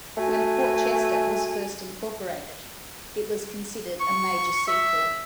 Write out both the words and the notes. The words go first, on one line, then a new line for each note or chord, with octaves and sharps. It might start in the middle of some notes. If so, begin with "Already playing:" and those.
When Port Chester was first incorporated, it was considered a major seaport.
A3 F#4 G#5
C#6
E5